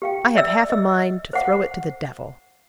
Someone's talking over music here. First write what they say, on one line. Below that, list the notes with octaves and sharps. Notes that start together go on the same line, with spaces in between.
I have half a mind to throw it to the devil.'
G4 F5 G5
D5 E5 E6
D#5 E6
C5 F5 F#5